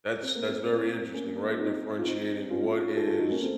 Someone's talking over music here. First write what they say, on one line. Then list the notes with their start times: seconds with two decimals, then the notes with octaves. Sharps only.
That's that's very interesting, right, differentiating what is
0.23 C4
0.35 A#3
0.48 A3 C4
1.14 A#3 C#4
1.53 F4
1.59 C4 D#4
1.98 F4
2.05 C4 D#4
2.50 C#4 F4
2.97 F4 A4
3.07 F4 A4
3.18 D#4 F#4
3.30 A#3 C#4
3.42 A3 C4